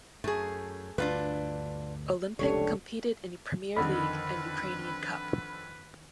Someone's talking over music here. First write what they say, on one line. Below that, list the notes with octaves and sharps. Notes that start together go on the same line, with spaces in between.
Olimpik competed in Premier League and Ukrainian Cup.
F#2 A3 G#4
D2 G2 D3 D4 F4 B4
F1 C#2 B2 D4 G4 A4 C#5
F2 D3 D#3 B4 D#5 B5